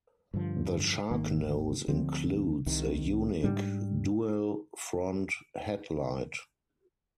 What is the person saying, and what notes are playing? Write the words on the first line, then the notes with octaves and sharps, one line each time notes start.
The Sharknose includes a unique, dual front headlight.
G2 D3 F3
G#1 G#2 D#3 A#3
D2 D3 F3 C4
C2 C3 D#3
G#2 G3 D4